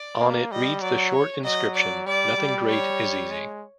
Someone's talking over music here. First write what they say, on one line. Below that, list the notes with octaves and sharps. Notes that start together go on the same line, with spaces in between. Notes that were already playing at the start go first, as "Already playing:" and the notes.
On it reads the short inscription: Nothing great is easy.
Already playing: D5
A#3
G3 D#5
F#3 D5
C#5
F#3 D#5
D5
G3 D5
G3
C#5
G#3